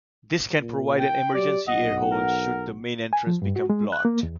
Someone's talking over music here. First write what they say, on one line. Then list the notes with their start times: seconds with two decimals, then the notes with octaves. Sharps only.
This can provide an emergency air hole should the main entrance become blocked.
0.60 A#2
0.98 G5
1.34 F#3 G4 D5
1.67 B1 D#5 F#5
2.11 A#4
3.13 G#5
3.27 F3
3.42 G2
3.56 F#4
3.70 G#3
3.92 F#6
4.05 A#3
4.23 E2